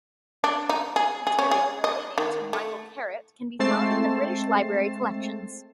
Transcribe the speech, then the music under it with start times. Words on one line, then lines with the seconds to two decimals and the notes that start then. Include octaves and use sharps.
Archival material relating to Michael Carritt can be found in the British Library collections.
0.44 D4
0.69 D#4
0.96 G#4
1.27 G#4
1.39 C#4
1.51 G#4
1.84 D#5
2.18 D#3
2.53 A3
3.59 G#3 A3 C4 A6 C7 E7